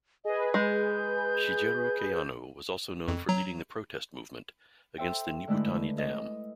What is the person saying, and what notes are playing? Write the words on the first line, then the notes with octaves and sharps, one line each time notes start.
Shigeru Kayano was also known for leading the protest movement against the Nibutani Dam.
G#4 B4 D#5
G#3 G6
F2
F#3 A#5
A4 C5 E5 G5
D3 G#3 A3 E4 B4
D#5